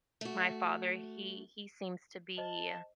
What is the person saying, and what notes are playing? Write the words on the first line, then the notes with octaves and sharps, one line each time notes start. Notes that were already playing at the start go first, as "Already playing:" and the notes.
My father, he he seems to be
A3 F#4
C5 D#5 A5